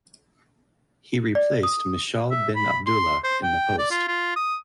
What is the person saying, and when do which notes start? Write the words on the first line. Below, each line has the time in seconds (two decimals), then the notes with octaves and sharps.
He replaced Mishaal bin Abdullah in the post.
1.35 D5
1.63 D#6
2.31 E5
2.56 B5
2.87 C6
3.24 C5
3.43 G5
3.79 D5
3.91 F4
4.08 F4
4.36 D#6